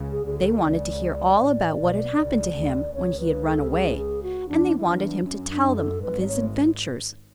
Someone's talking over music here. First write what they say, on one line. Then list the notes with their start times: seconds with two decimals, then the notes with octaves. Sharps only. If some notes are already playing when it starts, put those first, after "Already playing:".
They wanted to hear all about what had happened to him when he had run away, and they wanted him to tell them of his adventures.
Already playing: C#2 C#3
0.12 G#4
0.25 D2 D3 G#4
0.38 A4
0.63 C#2 C#3 D5
1.40 A1 A2
1.79 B1 B2
2.18 C#2 C#3
2.56 D2 D3
2.94 C#2 C#3 C#5
3.20 B4
3.46 A4
3.71 G#4
3.98 G#4
4.23 F#4
4.48 E2 D4
4.78 E4
4.87 E2 D4
5.25 F#2 C#4
5.50 D4
5.76 A4
6.02 G#1 G#2 B4
6.21 D5
6.27 C#5